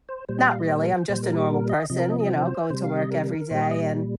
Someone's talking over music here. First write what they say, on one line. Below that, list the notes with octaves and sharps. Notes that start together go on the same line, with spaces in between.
not really, I'm just a normal person, you know, going to work every day, and
C5
A#2 G3 C5
D#5
F5
D#5
C5
A#4
C5
A#2 G3 C5
A#4
G4
A#4
D#5
C3 F3 D#5
A#4
D#5
D#5
C5
C3 G3 C5
F5
D#5
A#4
A#4
A#2 G3 C5
D#5
D#5